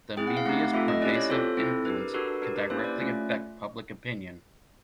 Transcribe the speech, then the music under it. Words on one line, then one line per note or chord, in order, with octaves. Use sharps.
The media's pervasive influence can directly affect public opinion.
C4 E4 G#4 G5
F#5
F5
A3 C4 D#4 G4 F#5
F5
A3 C4 F4 A4 E5
D#5
C#4 E4 G4 D5
C#5
C4 F4 A4 C5
C4 E4 A4
D4 G4 B4
A#4
D4 F#4 A4 B4
B4
D4 G4 A#4
B4
A#3 C#4 E4 G4 C5
D5
A3 C#4 F4